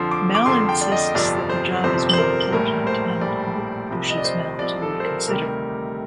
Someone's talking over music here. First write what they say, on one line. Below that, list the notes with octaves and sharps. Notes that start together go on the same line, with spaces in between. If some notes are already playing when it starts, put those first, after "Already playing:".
Mal insists that the job is more important, and Book pushes Mal to reconsider.
Already playing: F2 D3 F3 C6
D6
D6
F2 D3 F3 C6
G5
D5
D#5
G1 F2 C3 F3 D5
C5
G1 F2 C3 F3 C5
C5
A#4
A#1 A2 G3 A#4
C5
A#1 A2 G3 D5
C2 C3 F3
D#5
D5
C5
C2 C3 F3 D5
A4
C5
A#4
D2 C3 D#3 G3 A#4